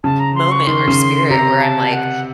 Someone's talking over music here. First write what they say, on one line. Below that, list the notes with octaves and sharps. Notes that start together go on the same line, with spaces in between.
moment, or spirit, where I'm like,
C#3 A5
A#5
C6
C#6
D#3 C6
C#3
C3 A#5
A5
F#5